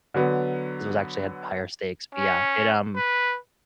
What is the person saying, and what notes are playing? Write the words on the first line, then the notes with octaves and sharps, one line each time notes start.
it was actually had higher stakes, but yeah, it, um
D3 F#3 B3
C#4
B4